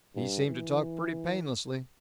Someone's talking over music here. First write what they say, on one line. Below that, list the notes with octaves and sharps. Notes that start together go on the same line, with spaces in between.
He seemed to talk pretty painlessly.
G2
E3